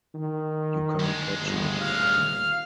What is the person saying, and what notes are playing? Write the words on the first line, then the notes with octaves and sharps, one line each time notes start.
You can't catch me.
D#3
D2 G#3
G1
D#1 F5 F6